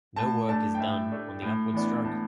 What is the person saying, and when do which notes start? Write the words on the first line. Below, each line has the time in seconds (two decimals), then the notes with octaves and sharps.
No work is done on the upward stroke.
0.16 A2 A5
0.48 A3 D4 A5
0.75 G5
0.79 A2 E5
1.11 A3 D4
1.42 A2
1.73 E3 B3 D4
2.05 A2 A5